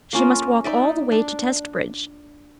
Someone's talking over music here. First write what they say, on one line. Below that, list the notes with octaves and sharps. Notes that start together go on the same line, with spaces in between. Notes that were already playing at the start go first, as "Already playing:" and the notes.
She must walk all the way to Testbridge.
A#3 C#4 F4
D#4 D5 E5
D4